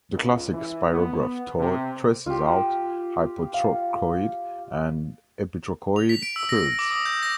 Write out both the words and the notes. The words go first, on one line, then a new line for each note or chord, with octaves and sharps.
The classic Spirograph toy traces out hypotrochoid and epitrochoid curves.
C#2
E3
B3
C3
F4 G4
F5
F7
B6
D7
E6
A#6
A#6
D6
D#6
G6
A#6